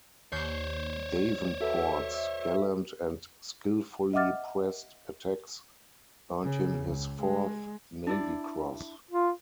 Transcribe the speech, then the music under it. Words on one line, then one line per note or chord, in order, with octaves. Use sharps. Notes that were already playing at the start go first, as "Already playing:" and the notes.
Davenport's gallant and skillfully pressed attacks earned him his fourth Navy Cross.
D#2 C5 C#5 G6 C7
F#4 A4 B4 E5
D#5 E5 F#5 D6 F6 A6
C#3
C#2
G#3
D4 E4 D5
F4